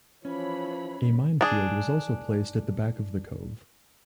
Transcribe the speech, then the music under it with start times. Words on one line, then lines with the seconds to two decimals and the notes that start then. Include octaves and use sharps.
A minefield was also placed at the back of the cove.
0.25 E3 F3 C#4 C#5 B5
1.41 D4 G#4